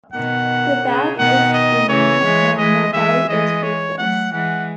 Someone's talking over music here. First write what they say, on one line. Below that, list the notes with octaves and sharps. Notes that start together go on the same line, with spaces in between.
The back is green and the belly is rufous.
B2 D#3 F#5
C#3
B2 D#3 F#5
D#5
C#3 E3 C#5
E3 G#3
E3 G#3 D#5
E3 G#3 E5
E3 G#3 D#5
C#5
F#3 A3 F#5
E3 G#3 F#5